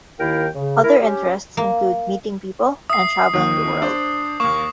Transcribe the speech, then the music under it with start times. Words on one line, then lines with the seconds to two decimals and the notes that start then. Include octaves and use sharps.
Other interests include meeting people, and travelling the world.
0.20 D#2 D#3 E4 A#4 F5 G5
0.55 C#3
0.84 E4 A#4
1.02 C#4 G4
1.57 A#3
2.90 E5 D#6 C7
3.33 D#2 D#3
3.82 D4 C5
4.40 D#2 A#3 C#6